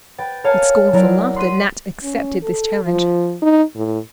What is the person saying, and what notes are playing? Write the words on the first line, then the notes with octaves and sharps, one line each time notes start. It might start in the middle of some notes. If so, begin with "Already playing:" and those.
With scornful laughter Nat accepted this challenge.
B4 G5 A6
A#4 C#5 F5 G#5 A5 F6
F#3 E4 A#4 D5
C6 F#6 B6 D#7
C#4
A4
F3
D#4
A2